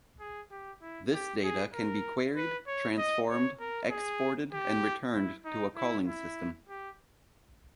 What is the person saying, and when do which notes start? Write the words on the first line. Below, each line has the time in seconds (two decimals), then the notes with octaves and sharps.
This data can be queried, transformed, exported and returned to a calling system.
0.20 G#4
0.51 G4
0.82 E4
1.13 G4
1.44 G#4
1.74 A#4
2.36 B4
2.67 C#5
2.98 D#5
3.29 C#5
3.60 A#4
3.90 G#4
4.53 G4
5.13 E4
5.45 D#4
5.76 E4
6.06 E4
6.69 G4